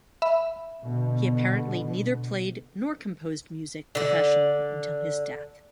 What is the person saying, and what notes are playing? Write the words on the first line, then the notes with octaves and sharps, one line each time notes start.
He apparently neither played nor composed music professionally until his death.
E5 B5
B2 D3
D3 D5